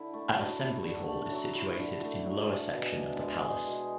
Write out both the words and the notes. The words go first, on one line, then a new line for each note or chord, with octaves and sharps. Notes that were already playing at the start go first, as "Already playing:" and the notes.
A assembly hall is situated in lower section of the palace.
Already playing: D3 E4
A3
F#3
E4
D3
A3
F#3
E4
D3
A3
F#3
G#4
B2
D4
G#3
G#4
B2